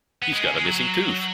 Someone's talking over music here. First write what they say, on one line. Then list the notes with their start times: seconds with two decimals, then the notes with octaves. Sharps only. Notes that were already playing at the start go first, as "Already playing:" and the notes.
He's got a missing tooth!
0.22 B3
0.33 G#3
0.44 C#3
0.54 G#3
0.64 F#3
0.76 F#3